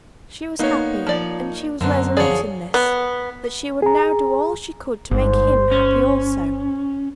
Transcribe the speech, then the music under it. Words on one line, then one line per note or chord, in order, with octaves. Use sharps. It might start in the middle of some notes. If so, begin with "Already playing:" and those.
She was happy, and she was resolute in this,--that she would now do all she could to make him happy also.
A#2 B3 D#4 C#5
F3 D5
F#2 D3 B3 C4
D3 F3 G#4 C#5 D5
B3
G#4 A#5
G1 G#2 C5
C#4